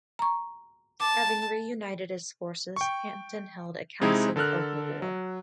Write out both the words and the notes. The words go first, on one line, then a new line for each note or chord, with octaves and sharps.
Having reunited his forces, Hampton held a council of war.
A#5 C#6
A5 D6
G5 C#6
C3 G#3 C4 D#4 E4 G#4
D3 A4 A#4 F6 F#6
F#3